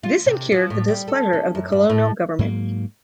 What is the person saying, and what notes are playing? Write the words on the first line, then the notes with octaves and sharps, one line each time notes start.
This incurred the displeasure of the colonial government.
F4
C3
F3
A2
G3
A4
C#4
F#2
G2
A2
G#2 F#3 A#3